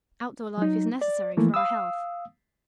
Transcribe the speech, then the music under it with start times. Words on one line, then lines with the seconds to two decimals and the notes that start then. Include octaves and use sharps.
Out-door life is necessary for our health.
0.58 F#3 D#4
1.01 D5
1.37 E3 F3 A3 A#3 E4
1.54 F5 D#6 E6